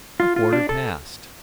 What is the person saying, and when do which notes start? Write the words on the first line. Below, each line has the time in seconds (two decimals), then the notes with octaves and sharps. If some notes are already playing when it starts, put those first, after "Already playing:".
A quarter past.
0.20 F4
0.36 F4
0.53 D4
0.69 A4